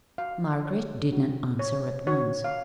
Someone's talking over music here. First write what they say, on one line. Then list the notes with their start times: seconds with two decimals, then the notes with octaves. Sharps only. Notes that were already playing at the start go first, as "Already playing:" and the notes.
Margaret did not answer at once.
0.18 F#4 F5
0.66 C#5
1.13 F#4
1.59 C#5
2.07 F#4 C#5
2.44 F5